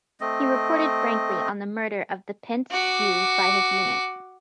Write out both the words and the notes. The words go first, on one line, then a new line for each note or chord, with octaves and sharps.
He reported frankly on the murder of the Pinsk Jews by his unit.
A3 C4 D#5
F#4 D6